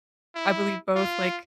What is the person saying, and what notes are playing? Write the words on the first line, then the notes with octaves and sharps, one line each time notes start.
I believe both, like,
E4
F4